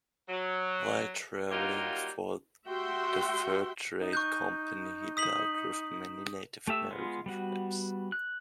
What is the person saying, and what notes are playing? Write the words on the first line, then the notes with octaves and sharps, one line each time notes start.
While traveling for the fur trade company he dealt with many Native American tribes.
F#3
F#3 G3 A#3 D#4 F4 G4
F#4 G4 E5 G5 C6
D#4
C#6 F#6 G6
D#6 B6 F#7
A3 G4 E5 E6
G#3 B3 F4
G3 B3 F#4
F#6